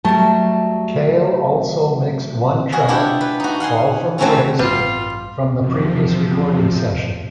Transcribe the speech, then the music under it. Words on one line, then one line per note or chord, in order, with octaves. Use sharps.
Cale also mixed one track, "Fall from Grace", from the previous recording session.
F#3 G3 A3 A5
G#3 F#4 G#4
D4 E4 F4 G4 F#5
B4
D#4 F#4
F5 F#5 G#5 C6
F#3 A3 C4 C#4 E4 F4
A1 G2 B2 G3 C4 F4
E2 C3 F3